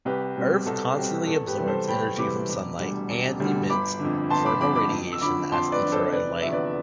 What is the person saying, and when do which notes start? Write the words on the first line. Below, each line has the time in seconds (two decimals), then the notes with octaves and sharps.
Earth constantly absorbs energy from sunlight and emits thermal radiation as infrared light.
0.05 C2 G4 B4
0.36 B2 G3 C4
0.66 C2 A4
0.97 B2 G3 C4 G4
1.26 E2 A4
1.47 G4 B4
1.57 C3 E3 G3 C4
1.67 A4 C5
1.88 E2 G5 B5
2.18 C3 E3 G3 C4 B5 D6
2.48 E1
2.79 D2 D3 G3
3.09 E1
3.40 D2 D3 G3
3.70 G1 B5 D6
4.00 F2 D3
4.30 G1 A5 C6
4.46 B5 D6
4.61 F2 D3 B5 D6
4.76 B5 D6
4.91 F2
5.12 E6
5.21 D3 F3 B5 D6
5.52 F2 A5 C6
5.72 B4 D5
5.82 D3 F3
5.92 A4 C5
6.12 F1 B4 D5
6.42 E2 D3 F3 B3 E5
6.53 B4 D5